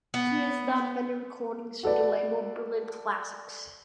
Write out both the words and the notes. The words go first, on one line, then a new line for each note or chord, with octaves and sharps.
He has done many recordings for the label Brilliant Classics.
B3
F#4 A4 B4 D5